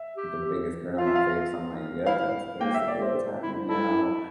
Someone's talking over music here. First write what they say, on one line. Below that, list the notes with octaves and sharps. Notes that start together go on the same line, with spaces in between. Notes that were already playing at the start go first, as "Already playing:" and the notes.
with the biggest grin on my face. I'm like, "Yeah, that's basically what's happening now."
Already playing: E5
G4
F4 F5
E5
F5
E4 F5
A#3 G5
E5
D5
C5
E4
E4 A4